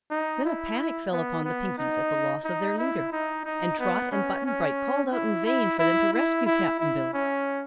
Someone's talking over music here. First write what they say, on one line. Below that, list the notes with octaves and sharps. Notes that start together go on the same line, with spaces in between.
Then a panic fell upon the Pinkies at the loss of their leader, and Trot and Button-Bright called out in vain for them to rescue Cap'n Bill.
D#4
E4
B3
B3
D#4
D#4
E4
D#4
D#4
B3
C#4
C#4
E4
E4
E4
E4
E4
E4
C#4